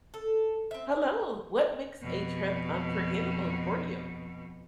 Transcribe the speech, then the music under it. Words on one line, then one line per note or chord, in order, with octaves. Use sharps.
Hello, what makes a trip unforgettable for you?
A4
C4 E5
F2 B2